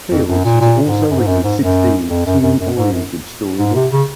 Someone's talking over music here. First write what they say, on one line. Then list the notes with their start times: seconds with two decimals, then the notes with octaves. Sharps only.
Fields has also written sixteen teen-oriented story books.
0.11 F2
0.28 F#2
0.44 A#2
0.61 A#2
0.86 G#2
1.10 F#2
1.19 G#2
1.27 F#2
1.44 G#2
1.60 F#2
2.09 F2
2.26 F#2
2.43 F#2
2.59 F#2
2.76 G#2
2.92 F#2
3.58 G#2
3.75 C3
3.91 C#3